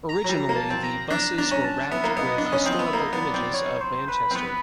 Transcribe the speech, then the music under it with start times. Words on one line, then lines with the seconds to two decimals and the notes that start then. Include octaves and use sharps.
Originally, the buses were wrapped with historical images of Manchester.
0.09 A#5
0.24 F#3
0.29 G3 A#5
0.49 A#3
0.56 A5
0.70 C4
0.83 A#5
1.10 D4 A#5
1.37 D4 A#5
1.51 C#4
1.64 A5
1.91 B3 E5
2.04 A#3
2.17 B3 D#5
2.38 D4
2.46 D#5
2.52 C#4
2.66 C4
2.72 D#5
2.79 B3
2.86 E5
2.93 A#3
2.99 D#5
3.13 B3 D5
3.34 C4
3.54 C#5
3.81 C5
4.08 B4
4.31 C4
4.35 B3 B4